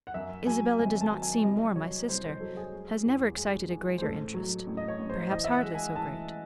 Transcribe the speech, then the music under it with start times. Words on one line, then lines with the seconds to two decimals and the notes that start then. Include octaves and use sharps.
Isabella does not seem more my sister; has never excited a greater interest; perhaps hardly so great.
0.07 F#5
0.14 F#2 E5
0.47 F#3 G#5
0.79 G#1 G#5
1.01 A5
1.12 F#3
1.22 G#5
1.44 C2 D#5
1.76 F#3 C#5
2.08 C2 C5
2.24 C5
2.40 F#3 A4
2.57 G#4
2.73 G#3
3.05 E2
3.37 G#3
3.70 G#3
3.98 C5
4.01 A1 A4
4.34 F#3
4.67 A1
4.77 D#5
4.88 C#5
4.99 A1
5.10 C5
5.31 E3 D#5
5.44 E5
5.52 F#5
5.63 G#3
5.74 G#5
5.95 E3 A5